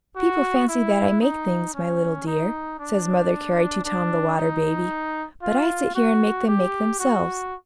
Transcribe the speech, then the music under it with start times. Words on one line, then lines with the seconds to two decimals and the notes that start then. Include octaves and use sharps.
"People fancy that I make things, my little dear," says Mother Carey to Tom the Water Baby, "but I sit here and make them make themselves!"
0.16 F#4
0.68 E4
1.21 D#4
1.74 C#4
2.27 D#4
2.79 D4
3.84 D4
4.37 D#4
5.42 F4
5.95 F#4
6.48 G4
6.99 F#4